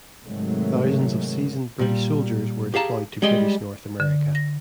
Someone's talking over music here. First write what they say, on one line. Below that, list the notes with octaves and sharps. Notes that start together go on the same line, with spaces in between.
Thousands of seasoned British soldiers were deployed to British North America.
G#2 C3 D#3 F#3 G#3 A3
A#2 G3
G4 G#4 F5 A5 A#5
G3 G#3 D#5 G5 C6
D3
A#6